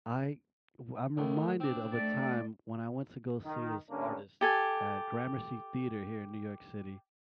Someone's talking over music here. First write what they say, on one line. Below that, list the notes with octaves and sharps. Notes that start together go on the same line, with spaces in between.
I w I'm reminded of a time when I went to go see this artist at Gramercy Theater here in New York City
D#2 A2
C4 D4
A3 D5
D#3
G2 D3 A#3 C#4 D4
G4 A4 G#5